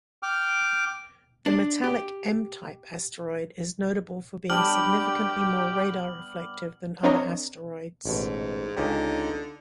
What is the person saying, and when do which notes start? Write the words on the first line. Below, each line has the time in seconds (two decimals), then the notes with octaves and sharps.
The metallic M-type asteroid is notable for being significantly more radar-reflective than other asteroids.
0.23 G5 D6 F6
1.46 D4
1.84 G4
4.50 G3 B3 D4 G4 F6 F#7
7.03 C4 D4 A#4 C#5 D#5 A#5
8.06 A1 G#2 B2
8.76 C#2 D3 C#4 D#4 G4